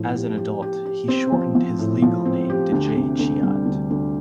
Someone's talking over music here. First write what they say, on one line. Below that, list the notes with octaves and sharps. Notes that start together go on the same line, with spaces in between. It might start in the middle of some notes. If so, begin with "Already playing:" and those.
As an adult he shortened his legal name to Jay Chiat.
Already playing: A2 F3 C4
G4
G4
G4
G4
C4
F3
F3
A2
F3
C4
G4
D2
C3
D2
G3
D2
D2